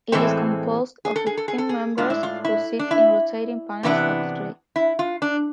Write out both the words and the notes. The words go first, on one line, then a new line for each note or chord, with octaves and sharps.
It is composed of fifteen members who sit in rotating panels of three.
A2 E3 G#3 C4 A4
G#4
A4
G#4
A4
G#4
A4
G#4
A2 G#3 D4 F4
E4
F4
E4
D4
E4
C3 E3 B3 D4
E4
F4
D4